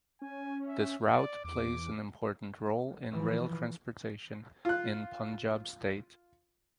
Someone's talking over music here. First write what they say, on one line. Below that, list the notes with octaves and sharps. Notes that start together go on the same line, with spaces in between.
This route plays an important role in rail transportation in Punjab state.
C#4 G#5
E5
D5
E2 D6
E3 F3
F4 F#6